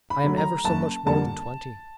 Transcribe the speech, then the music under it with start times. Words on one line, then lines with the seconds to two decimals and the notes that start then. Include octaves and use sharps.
I am ever so much more than twenty.
0.10 B5
0.24 D3 F#3 A3
0.37 A#5
0.64 F#1 A5
1.06 F2 D3 G3 A#3 A5